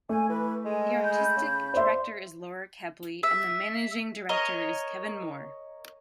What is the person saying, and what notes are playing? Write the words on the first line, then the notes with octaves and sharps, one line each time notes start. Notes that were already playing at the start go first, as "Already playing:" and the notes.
The Artistic Director is Laura Kepley and the Managing Director is Kevin Moore.
A3 G#5
E3 B4
G#3 A4 G#5
B5 G6
C#3
C5 D5 E5 C6
E5
A#4 C#5 D#5